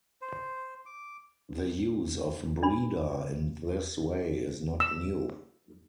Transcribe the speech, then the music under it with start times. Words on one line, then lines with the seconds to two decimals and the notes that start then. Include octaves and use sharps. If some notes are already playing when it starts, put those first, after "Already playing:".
The use of "breeder" in this way is not new.
0.21 C5
0.86 D6
2.63 D4 B5
4.80 E6